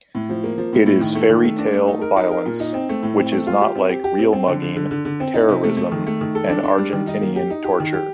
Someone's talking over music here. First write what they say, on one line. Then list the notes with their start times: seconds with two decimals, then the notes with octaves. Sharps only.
It is fairy-tale violence, which is not like real mugging, terrorism and Argentinean torture.
0.15 A2
0.29 F3
0.44 A#3
0.58 F3
0.73 A2
0.86 A2
1.01 D#3
1.15 A3
1.29 D#3
1.44 A3
1.58 D4
1.73 A3
1.88 D#4
2.02 A#4
2.16 D#4
2.31 A#4
2.46 A#2
2.60 D#4
2.74 C4
2.89 A3
3.03 A2
3.18 C4
3.32 A3
3.47 F4
3.61 G4
3.75 C4
3.89 G4
4.04 G4
4.19 C4
4.33 C4
4.47 D3
4.62 D3
4.76 D3
4.91 D3
5.05 D3
5.20 C4
5.34 D#4
5.48 C3
5.63 A3
5.77 A3
5.92 D#3
6.06 A3
6.21 D#3
6.35 A4
6.49 D4
6.63 D4
6.78 G3
6.93 D#3
7.07 D#4
7.21 A#3
7.36 G4
7.50 D#4
7.64 G4
7.80 D#3
7.93 G4